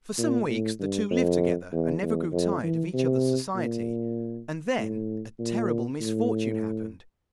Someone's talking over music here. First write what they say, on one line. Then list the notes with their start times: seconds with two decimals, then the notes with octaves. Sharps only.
For some weeks the two lived together and never grew tired of each other's society, and then a terrible misfortune happened.
0.18 A#2
0.49 A2
0.80 G2
1.11 F2
1.72 E2
2.02 E2
2.32 F2
2.63 E3
2.94 C3
3.55 A#2
4.78 A2
5.39 A#2
6.00 A2